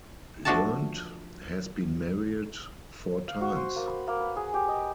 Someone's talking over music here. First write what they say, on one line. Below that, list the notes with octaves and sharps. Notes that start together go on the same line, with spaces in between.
Learned has been married four times.
F3 A3 D4 F#4 A4 A5
F5
F#4
C5
A#3
B5
A#3
B4
G#4
G4
D#5